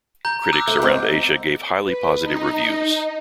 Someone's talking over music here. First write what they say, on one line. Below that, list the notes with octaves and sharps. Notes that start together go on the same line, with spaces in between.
Critics around Asia gave highly positive reviews.
A#5 G6
D6 E6 F#6
A3
G#2 C4
B4
D#4